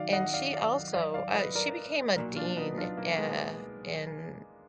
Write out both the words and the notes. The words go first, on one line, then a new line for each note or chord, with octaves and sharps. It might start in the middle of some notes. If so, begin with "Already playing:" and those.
and she also uh, she became a Dean, eh, in
Already playing: F#2 D#3 F#3 D5 F5
D#5 F#5
D5 F5
D5 F5
D5 F5
D5 F5
B4 D#5
A#4 D5
B1 A#2 F#3 A#4 D5
D4 F4
B3 D#4
D4 F4
A#3
G#3 B3